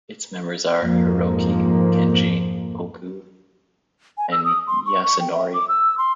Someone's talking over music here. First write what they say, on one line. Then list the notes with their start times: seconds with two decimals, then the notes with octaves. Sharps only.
Its members are Hiroki, Kenji, Ogu and Yasunori.
0.80 F2 G#2 F3 A#3
4.18 G#5
4.32 E6
4.44 D#6
4.67 C6
4.86 C#6
5.04 C#6
5.20 G5
5.33 E5
5.54 D6
5.68 E6
5.98 C6